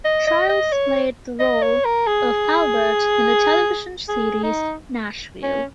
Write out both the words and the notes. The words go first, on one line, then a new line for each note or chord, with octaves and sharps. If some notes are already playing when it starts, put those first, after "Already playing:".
Childs played the role of Albert in the television series "Nashville".
D#5
D#5
D#5
C#5
D#5
C#5
A#4
G#4
G#4
D#4
C#4